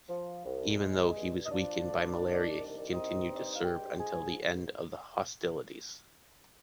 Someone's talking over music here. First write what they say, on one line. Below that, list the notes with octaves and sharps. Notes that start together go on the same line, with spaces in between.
Even though he was weakened by malaria, he continued to serve until the end of the hostilities.
F3
C2
G#3
G2
D#5
F3 D4 D5
D2
D#3
C2
C4 D#4 D#5
G2
D5
D#5
F5
G#3 G4 G5
G#2 G#4 G#5